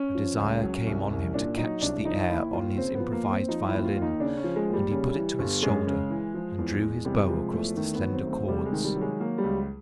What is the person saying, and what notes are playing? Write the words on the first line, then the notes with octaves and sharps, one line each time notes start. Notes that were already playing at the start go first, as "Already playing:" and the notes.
A desire came on him to catch the air on his improvised violin, and he put it to his shoulder and drew his bow across the slender cords.
Already playing: C#4
F3
C#2
F#3
C2
C2
A#2 D4
F#3 D#4
C2 D4
F3 D#4
D#2 E4
D#2 F4
C#3 C4
B3
F3
A#3
D#2
C4
F3 D#4
E4
D#2
F4
D#2
D#4
C#3 D4
C#4
F3
G#3
D#2
G3
C#3
E3
G1
F#2 G#3
C#3
E3
F3
E2
E2
C3 G3
F3 G#3
E2 A3
D#3 A3
B3
F#3
C4
D2
C4
C3 G3
G#3
D#3
G3
F#3
G#3
F#3 A#3
G3
C#2